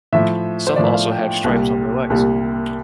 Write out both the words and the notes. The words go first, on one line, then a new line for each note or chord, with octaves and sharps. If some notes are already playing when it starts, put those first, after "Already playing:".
Some also have stripes on their legs.
A2 F3 E5
C5
A2 F3 D5
E5
F5
G5
G5
C2 A#2 G3
C2 A#2 G3